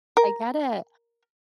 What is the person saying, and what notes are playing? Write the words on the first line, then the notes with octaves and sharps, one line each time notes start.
I get it.
A#4